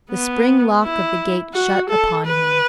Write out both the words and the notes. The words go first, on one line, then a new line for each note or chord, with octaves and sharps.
The spring-lock of the gate shut upon him.
B3
E4
F#4
A4
B4